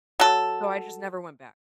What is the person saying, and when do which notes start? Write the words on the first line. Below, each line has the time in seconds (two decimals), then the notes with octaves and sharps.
so I just never went back.
0.20 F#3 A4